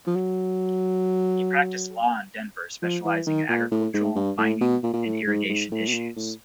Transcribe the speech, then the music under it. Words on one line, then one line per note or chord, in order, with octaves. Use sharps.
He practiced law in Denver, specializing in agricultural, mining, and irrigation issues.
F3
F#3
F3
E3
D#3
A#2
A2
G#2
G2
A2
B2
A#2
A#2
A2
G#2
G#2
A2
B2
A#2
A2